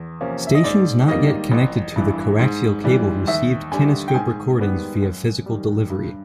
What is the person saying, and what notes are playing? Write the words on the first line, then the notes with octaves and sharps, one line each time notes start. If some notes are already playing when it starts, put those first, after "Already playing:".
Stations not yet connected to the coaxial cable received kinescope recordings via physical delivery.
Already playing: E2
C3 F3 A#3 C#4
E5
D#5
G#2 D5
D#3 G3 A#3 D#5
A1
G2 E3
G#2
E3 G3
D#2 E5
D3 G3 G#5
G5
G#2 G#5
D#3 G3 B3
F#2
D#3 G3
G2